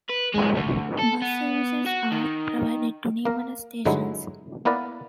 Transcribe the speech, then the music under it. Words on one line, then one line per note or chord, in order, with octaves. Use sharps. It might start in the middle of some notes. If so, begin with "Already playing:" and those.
Bus services are provided to numerous stations.
B4
G#3
D2
A4
B3
F#4
D#3
A#3 A#4
G2 D3 F#3 G#3 D#4 E4
A#3 B3 E4 A#4 B4 D5